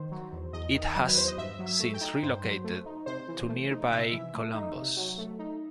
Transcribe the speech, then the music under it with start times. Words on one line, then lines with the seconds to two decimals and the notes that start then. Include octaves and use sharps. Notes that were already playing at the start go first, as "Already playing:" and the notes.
It has since relocated to nearby Columbus.
Already playing: D#3 C5
0.11 F#3
0.32 E2
0.53 E2 D#5
0.74 D#3
0.96 F#3
1.08 B4
1.17 E2 C5
1.28 D#5
1.37 G2 E5
1.59 F#3
1.66 E5
1.80 A3
1.94 G5
2.01 D#4
2.22 G2 C5
2.44 F#3
2.64 A3
2.86 D#4
3.06 C3 C5
3.28 E3
3.49 A3
3.71 D#4
3.91 C3 E5
4.13 E3
4.34 A3
4.54 D#4
4.76 C3
4.97 F#3
5.18 A3
5.39 D#4